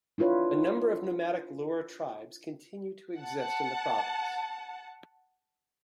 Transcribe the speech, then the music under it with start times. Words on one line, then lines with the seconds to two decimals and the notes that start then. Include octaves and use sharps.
A number of nomadic Lur tribes continue to exist in the province.
0.18 D4 E4 F4 B4 C#5
3.18 F#5 A5